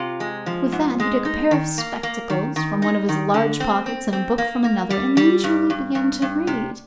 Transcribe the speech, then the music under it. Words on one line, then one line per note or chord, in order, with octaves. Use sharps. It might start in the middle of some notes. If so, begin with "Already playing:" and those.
With that he took a pair of spectacles from one of his large pockets, and a book from another, and leisurely began to read.
Already playing: C3 F4
G#3
F3
G#2
G#3
D#4
D#3
A#3
A#3
D#3
D#3
D#4
D#3
D3
C4
C4
C4
A#3
A#3
G3
G3
G2
G2
G2
G2
C3